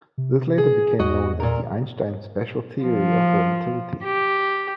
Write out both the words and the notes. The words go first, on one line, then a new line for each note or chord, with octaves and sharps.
This later became known as Einstein's special theory of relativity.
C3
G#4
E2 F#4 D#5
A#2 A#4
F3
G4